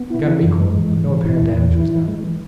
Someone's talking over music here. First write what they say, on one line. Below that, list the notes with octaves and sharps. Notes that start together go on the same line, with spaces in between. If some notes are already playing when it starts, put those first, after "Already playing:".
The gun recoiled, but no apparent damage was done.
Already playing: B3
E4
E3
F#2
G#3
E3
G#2
E3
E4
E2
E3
E4
E3
G#3
E3